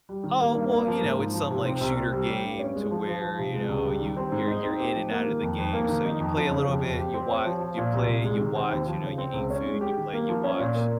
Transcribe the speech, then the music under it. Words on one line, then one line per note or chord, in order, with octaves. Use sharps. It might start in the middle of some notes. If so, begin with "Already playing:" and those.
Oh, well, you know, it's some, like, shooter game to where, you know, you you're you're in and outta the game, so you play a little bit, you watch, you play, you watch, you know, you eat food, you play, you watch.
G3
D#3
A#3
G2
A#3
F3
G#2
G#2
F3
C3
C4
C2
C4
G3
G4
G2
C#4
G#3
F3
F3
F3
C3
G#3
C#2
G3
D#3
C4
G#2
D#4
C4
G4
F3
A#3
D#3
F2
F2
A#3
D#3
D#4
F2
F3
C#3
F2
F2
G4
C4
C#5
F3
F3
A#2
C2
C2
G#3
D#3
C4
D#2
F3
C#3
C4
C#2
C#4
G#3
G4
D#3
A#3
F3
C#4
A#2
A#3